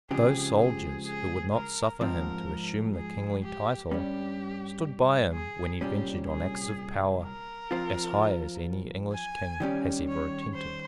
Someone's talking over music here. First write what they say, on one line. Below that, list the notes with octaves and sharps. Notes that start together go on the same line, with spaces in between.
Those soldiers who would not suffer him to assume the kingly title stood by him when he ventured on acts of power, as high as any English King has ever attempted.
C#2 C#3 F3 C4 G4 G#4
G#4
G#4
A#4
G#2 F3 C4 A#4
G#4
G4
G2 G3 C#4 G4
G#4
C2 A#2 G3 C#4 G4
G#4
A#4
F3 C4 F4 C5
G#5
D#3 G3 C#4 G4
C#5
C5